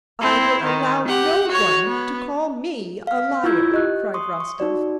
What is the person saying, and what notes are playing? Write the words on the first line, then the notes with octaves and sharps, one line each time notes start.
"I will allow no one to call me a liar!" cried Rostov.
C4 E4
D#3
G4 F#5
F#4 C#5
B3
F5 F6
E4 F4 C#6 E6 G6 G#6
G4 D#5 F#6
C6 C#6 D#6
C#6
D#4 F#4 D5